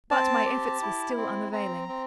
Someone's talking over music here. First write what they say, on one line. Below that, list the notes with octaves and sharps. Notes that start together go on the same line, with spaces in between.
But my efforts were still unavailing.
C4 A5
G4
E4
C4
C4 A#5
C4